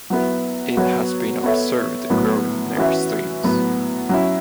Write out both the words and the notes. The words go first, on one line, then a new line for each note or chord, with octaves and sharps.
It has been observed growing near streams.
F#3 B3 E4
F#3 B3 F#4 C#5
B3 A4 C#5 E5
A2 F#3 B3
E3 C#4 F#4 B4 E5
A2 F#3 B3
F#3 C#4 E4